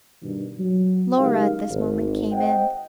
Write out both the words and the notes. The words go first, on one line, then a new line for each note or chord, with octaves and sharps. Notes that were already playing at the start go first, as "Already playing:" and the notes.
Laura at this moment, came in.
G2 B2 D#3
F#3
C#3 G#3 D#4 G4 A#4 F5
G#1
C5 D#5 F#5 G5